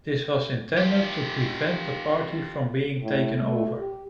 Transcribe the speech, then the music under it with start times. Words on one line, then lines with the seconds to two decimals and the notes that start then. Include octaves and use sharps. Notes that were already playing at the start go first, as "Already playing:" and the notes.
This was intended to prevent the party from being taken over.
0.78 F4 G4
3.02 A2
3.35 A3
3.78 G4